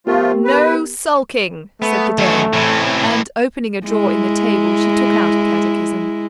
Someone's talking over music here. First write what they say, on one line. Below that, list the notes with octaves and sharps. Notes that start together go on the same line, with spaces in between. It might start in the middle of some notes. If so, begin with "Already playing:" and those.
"No sulking!" said the dame; and opening a drawer in the table, she took out a catechism.
F3 A3 B3 F4 G4 A#4
B4
A3 B3
F#2 D#3 C#5
A2 C3 E3 C#4
G#3 E4